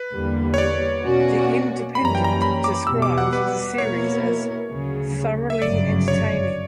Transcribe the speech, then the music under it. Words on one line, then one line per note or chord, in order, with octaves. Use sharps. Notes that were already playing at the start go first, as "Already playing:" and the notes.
The Independent described the series as "thoroughly entertaining".
Already playing: B4
E2 D3 G3 A#3
C#5
D5
B2 A#3 C#4 F#4
F#2 E3 G3 A#3 C#4 B5
A#5
G5
A#5
B5
D6
E2 B2 G3 E6
D6
F#5
B4
B2 A#3 E4 A#4 C#5
D2 C#3 F#3
E5
G1 F#2 C#3 F#3 D5
C#5